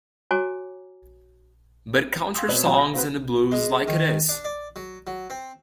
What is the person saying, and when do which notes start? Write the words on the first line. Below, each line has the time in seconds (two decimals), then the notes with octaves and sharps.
But country songs and the blues is like it is.
0.31 F#4 C#5 G#5 A#5 D6
2.34 F5 G5 C6 C#6 D#6 E6
2.49 B2 C4 B4 C#5 D#5
2.63 B2 F#3 F#4 C5 G#5 E7
2.78 A#6
2.93 C#3 C4 F#4 B4
3.51 G#3
3.88 D#3
4.29 D4
4.45 D5
4.76 F#3
5.07 F#3
5.30 C4